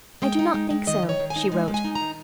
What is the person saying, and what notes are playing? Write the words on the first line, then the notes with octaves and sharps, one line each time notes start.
"I do not think so," she wrote.
G#3 G5
D#4
G#3
G#3
D#3 D#5
D#3
C#5
D#3
G#5
D#4
G#3 G#5
G#3
G#5
D#4
A#5
D#3